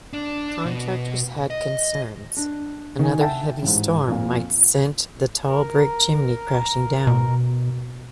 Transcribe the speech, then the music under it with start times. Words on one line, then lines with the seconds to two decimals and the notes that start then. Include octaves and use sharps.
Contractors had concerns 'another heavy storm might sent the tall brick chimney crashing down'.
0.13 D4
0.65 B2
1.50 D#5
2.37 D4
2.99 D#3 G#5
3.21 E5 F#5 G5 A5
3.62 A1 G#2
4.08 F2 A#2
5.46 A#4
7.07 B2